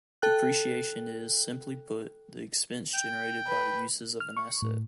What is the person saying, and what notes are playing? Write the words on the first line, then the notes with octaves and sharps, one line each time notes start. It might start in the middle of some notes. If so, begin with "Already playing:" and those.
Depreciation is, simply put, the expense generated by the uses of an asset.
A4 G5 F#6
G5
B4
F6
C#6
A2